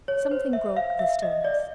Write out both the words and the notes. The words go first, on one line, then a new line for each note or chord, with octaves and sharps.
Something broke the stillness.
C#5
C5
E5
F5
E5
D#5
D5